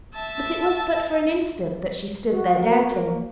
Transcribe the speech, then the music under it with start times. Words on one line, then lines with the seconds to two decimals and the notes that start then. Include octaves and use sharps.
But it was but for an instant that she stood there doubting.
0.15 E5 A5
2.30 F#4
2.61 A#3